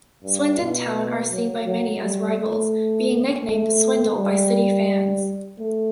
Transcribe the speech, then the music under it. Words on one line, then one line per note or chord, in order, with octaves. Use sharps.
Swindon Town are seen by many as rivals, being nicknamed 'Swindle' by City fans.
G2
B2
F#3
F#3
G3
A3
A3
G3
A3